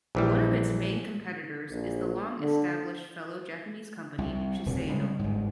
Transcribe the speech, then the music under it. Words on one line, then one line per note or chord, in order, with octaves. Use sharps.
One of it's main competitors is the long established fellow Japanese company Shiseido.
A#1 E3 G3
A#1
D3
C2
D1 C3
C#3 G3 G#3
G1 G#2